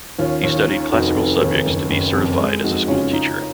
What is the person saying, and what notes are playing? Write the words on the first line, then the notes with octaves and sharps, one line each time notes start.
He studied classical subjects to be certified as a schoolteacher.
D#2 C#4 F4
D#2
C#4 F4
D#3
F1 D#4 F#4
F1
D#2
F#1
F#1
F2
G#3
F2 D#4 F#4
C#3 C#4 F4
D#4